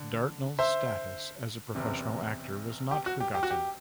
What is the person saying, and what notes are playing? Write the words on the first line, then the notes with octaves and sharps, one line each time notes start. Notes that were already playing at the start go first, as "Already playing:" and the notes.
Dartnell's status as a professional actor was not forgotten.
Already playing: D3
C5 E5
F#1 E2 C3
G4
F#4
G4
G4
F#4
G4